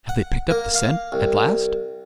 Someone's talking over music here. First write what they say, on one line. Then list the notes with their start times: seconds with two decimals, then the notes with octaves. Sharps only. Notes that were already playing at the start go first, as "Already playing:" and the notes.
"Have they picked up the scent--at last?"
0.09 F#5
0.51 A#3
0.75 F5
1.12 C2